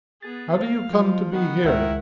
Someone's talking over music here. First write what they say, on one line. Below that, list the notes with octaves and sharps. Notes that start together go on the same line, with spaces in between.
"How do you come to be here?"
B3 G#4 A6
F5
F3 F#3
D#3 B3 F#5
C#2 D#3 G#3 E4